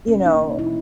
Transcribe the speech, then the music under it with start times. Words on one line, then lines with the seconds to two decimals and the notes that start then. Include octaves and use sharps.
you know,
0.08 B2 C#4
0.25 A#3 D#4
0.42 A#3
0.58 B2 E4